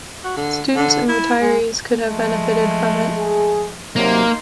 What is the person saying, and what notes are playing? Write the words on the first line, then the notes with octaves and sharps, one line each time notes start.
Students and retirees could have benefited from it.
F#4
D3
D3
E4
G#3
F3 G#3 A3
G#4
C3 F#3 A#3 D#4 C6